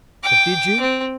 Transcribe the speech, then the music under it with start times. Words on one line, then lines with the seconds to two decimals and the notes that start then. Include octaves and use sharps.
"But did you?"
0.23 G5 D6
0.80 C4